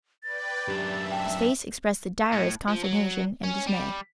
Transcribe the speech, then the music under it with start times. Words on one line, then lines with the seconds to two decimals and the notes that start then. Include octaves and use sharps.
His face expressed the direst consternation and dismay.
0.23 B4 D5 G5 A6
0.68 F#2 D4 G4 E5
1.12 G5 A5
2.33 A2
2.68 F3
2.84 F#3
3.43 C#4
3.66 G3